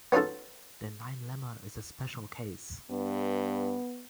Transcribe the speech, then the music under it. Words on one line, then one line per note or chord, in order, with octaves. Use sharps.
The nine lemma is a special case.
B3 C#4 D#4 F4 A4
G2 B3